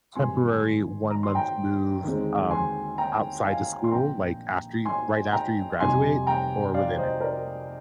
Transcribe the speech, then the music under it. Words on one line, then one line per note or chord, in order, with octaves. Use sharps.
temporary one-month move, um, outside the school, like, after you right after you graduate or within it?
G#1 G2 D3 G3 C4 G#5 C6
A#5
C6
G5 A#5
D#2 D3 G#3 C4
G#5 C6
G5 A#5
F5 G#5
C6
A#1 A#2 F3 C4 G5 A#5
G#5 C6
G5 A#5
F2 C3 G3 G#5 C6
G5 A#5
D5 F5
C5 D#5
A#4 D5